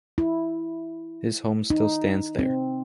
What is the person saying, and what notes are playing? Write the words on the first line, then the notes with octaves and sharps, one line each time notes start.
His home still stands there.
E4
D#4
C4